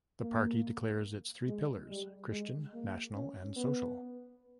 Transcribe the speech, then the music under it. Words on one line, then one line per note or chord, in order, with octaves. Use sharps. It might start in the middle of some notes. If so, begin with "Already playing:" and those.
The party declares its three pillars: Christian, national and social.
A#3
G#3
G3
G#3
A#3
C#4
B3